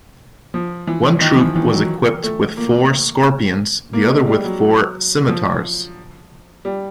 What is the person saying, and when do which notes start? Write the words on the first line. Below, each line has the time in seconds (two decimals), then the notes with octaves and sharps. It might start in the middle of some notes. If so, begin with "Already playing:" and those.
One troop was equipped with four Scorpions, the other with four Scimitars.
0.54 F3
0.87 E3
1.21 D#3
1.34 F3
1.39 E3
1.56 E3
1.72 F#3
2.23 A3
2.57 A#3
3.93 A#3
4.10 G#3
4.27 G3
4.44 F#3
5.29 F3
6.65 G3